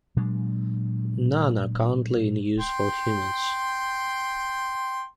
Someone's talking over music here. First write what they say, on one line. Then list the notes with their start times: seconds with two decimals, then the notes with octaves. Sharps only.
None are currently in use for humans.
0.16 A#2 F#3 G#3 D4
2.60 G5 C6